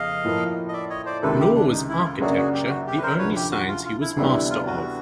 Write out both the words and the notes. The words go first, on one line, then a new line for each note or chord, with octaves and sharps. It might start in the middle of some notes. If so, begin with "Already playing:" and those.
Nor was architecture the only science he was master of.
Already playing: F2 C#3 B3 D#5 F5
A2 F3 A#3
D#5
D5 E5
C#5 D#5
C5 D5
C#2 C3 D#3 A4 B4
G4
D4
D#4
E4
F4
F#2 C#3 F#3 A#3 D4 F#4 G#4
F#4 G#4
G4
G4
F#4
G4
B4
A#4 C5
D2 C3 F3 B4 C#5
G4
F#4
F4
F4
E4
D2 C3 E3 G3 B3 E4
E4
F4
F#4